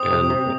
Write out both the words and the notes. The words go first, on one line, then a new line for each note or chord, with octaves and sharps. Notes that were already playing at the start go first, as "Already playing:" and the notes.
and, eh"
Already playing: C4 D#6
C3
C3